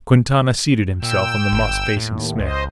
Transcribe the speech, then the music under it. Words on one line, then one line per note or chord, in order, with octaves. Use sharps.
Quintana seated himself on the moss, facing Smith.
A#2 G5 E6
G1
D#2 A2
C#2 C5 D#5